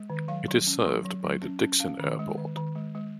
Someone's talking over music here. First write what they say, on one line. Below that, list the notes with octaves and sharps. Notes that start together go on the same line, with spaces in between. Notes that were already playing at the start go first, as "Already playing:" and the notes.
It is served by the Dikson Airport.
Already playing: G#3
D#3
F#3 F5
F#3
C#4
F#3
F#3
F#3
C#4
C#4
C#4 F5
D#3
G#3
D#3
D#3
G#3
G#3